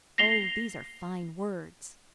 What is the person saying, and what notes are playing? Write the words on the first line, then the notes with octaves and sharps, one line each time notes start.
"Oh, these are fine words."
A#6 C7 F7 G7